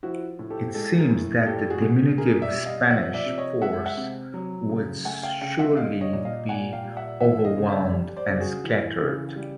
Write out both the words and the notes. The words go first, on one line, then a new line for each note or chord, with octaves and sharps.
It seemed that the diminutive Spanish force would surely be overwhelmed and scattered.
F3 E4 F#4
A2
G4 A4
G#3 G4 A4
G#4 A#4
A2
G3 G4 A4
F#4 G#4
B2
B2 G#4 A#4
D5 E5
G3
D#5 F5
F3 E5 F#5
D5 E5
C3
C#5 D#5
G#3 E5 F#5
E5 F#5
C3
F#3
C#3
A3 F#5 G#5
F5 G5
C#3 F5 G5
E5 F#5
G3 D#5 F5
C#5 D#5
A#2
D#5 F5
A#2 F#5 G#5
F5 G5
G3
E5 F#5
E3 E5 F#5
D#5 F5
C#3
D5 E5
G3
C5 D5
C#3
F#4 G#4
E3
C#3
G3